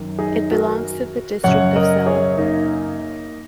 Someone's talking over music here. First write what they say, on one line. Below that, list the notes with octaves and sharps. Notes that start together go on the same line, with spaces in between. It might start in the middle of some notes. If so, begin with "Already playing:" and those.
It belongs to the district of Celle.
Already playing: F#2 D#3
D#4 G#4
F#4 A#4
F#2 C#3 C#5 F#5
A#4 D#5
G#4 C#5
A#3 D#4